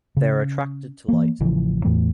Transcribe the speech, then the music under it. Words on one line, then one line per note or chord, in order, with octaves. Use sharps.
They are attracted to light.
C#3 C#4
E3 A#3
A1 C#3 E3 F3
E2 A2 E3 A3